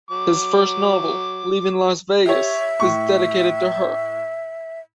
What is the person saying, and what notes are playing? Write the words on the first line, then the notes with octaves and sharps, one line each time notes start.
His first novel, "Leaving Las Vegas", is dedicated to her.
F#3 D6
G4 C#5 E5
A2 C#6